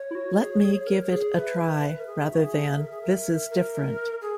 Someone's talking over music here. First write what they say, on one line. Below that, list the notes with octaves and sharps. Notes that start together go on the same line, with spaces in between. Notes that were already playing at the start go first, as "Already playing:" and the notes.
Let me give it a try', rather than 'This is different.
Already playing: C#5
E4
F#4
G#4
G#4
A#4
G#4
B4 E5
A#4
G#4
F#4
G#4
A#4
G#4
A#4
A#4
G#4